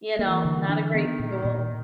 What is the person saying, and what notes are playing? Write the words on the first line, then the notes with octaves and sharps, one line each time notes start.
you know, not a great school."
E3 A#3
D3
D4
D#3 B3
A#2
A#2